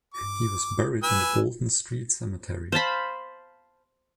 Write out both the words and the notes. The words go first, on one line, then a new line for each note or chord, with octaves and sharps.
He was buried in the Bolton Street Cemetery.
D6
B4 G#5 E6
C5 F5 A5 B5